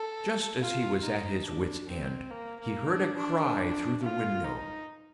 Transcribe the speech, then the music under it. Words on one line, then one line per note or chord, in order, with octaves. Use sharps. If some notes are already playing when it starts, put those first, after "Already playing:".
Just as he was at his wit's end, he heard a cry through the window.
Already playing: A4
F4
D#4
D4
C4
A#3
A#3
D4
D4
F4
D#4